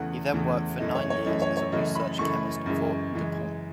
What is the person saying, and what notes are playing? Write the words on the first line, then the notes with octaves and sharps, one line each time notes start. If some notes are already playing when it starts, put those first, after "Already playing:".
He then worked for nine years as a research chemist for DuPont.
Already playing: E2 C#3 E3 A3 F#5
E2 C#3 E3 A3
F#2 E3 A3 D#5
C#5
C#5
F#2 E3 A3 D#5
C#5
C#5
F#2 C#3 E3 A3 D#5
B5
F#2 C#3 E3 A3 C#6
F#2 C#3 E3 G#3
F#2 C#3 E3 G#3